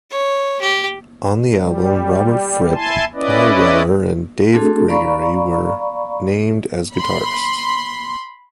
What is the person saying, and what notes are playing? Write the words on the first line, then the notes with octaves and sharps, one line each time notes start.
On the album, Robert Fripp, Paul Weller, and Dave Gregory were named as guitarists.
C#5
G4
G3
E4 G#5 A5 C6
C#4 E4 B4 D5 D#5
A3 C4 D4 F#4 G#4 A4
D5 F5 A#5 B5 C#6
B5 C6